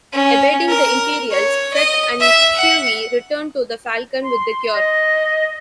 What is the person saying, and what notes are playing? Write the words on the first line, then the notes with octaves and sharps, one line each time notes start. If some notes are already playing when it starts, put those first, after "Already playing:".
Evading the Imperials, Fett and Chewie return to the "Falcon" with the cure.
C#4
A#4
C#5
D#5
E5
F#5
C6
D#5